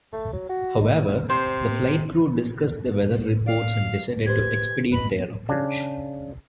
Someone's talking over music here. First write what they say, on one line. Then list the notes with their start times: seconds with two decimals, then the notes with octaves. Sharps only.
However, the flight crew discussed the weather reports and decided to expedite their approach.
0.13 A3
0.33 F#3
0.49 F#4
0.81 D#4
1.30 C3 C5
3.46 D5 F5
4.26 G4 B4 C5 G#6
4.92 B4 D#5 B5
5.49 C#3 D4